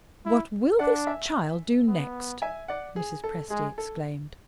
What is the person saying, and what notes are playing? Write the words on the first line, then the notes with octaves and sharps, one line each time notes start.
"What will this child do next?" Mrs. Presty exclaimed.
E4
D4 D5 F#5
E5 G#5
B3
E5 G#5
D5 F#5
G#4
A4
G#3 G#4
A4